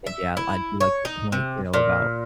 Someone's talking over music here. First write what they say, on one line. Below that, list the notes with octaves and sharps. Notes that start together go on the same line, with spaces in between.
And yeah, I do like the point, you know, about,
E5
E4
C#5
D#4
C3
A#2